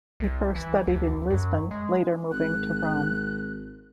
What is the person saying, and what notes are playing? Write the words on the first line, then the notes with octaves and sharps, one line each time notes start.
He first studied in Lisbon, later moving to Rome.
C2
E3
D2
F#2
G#3
G#1 F#6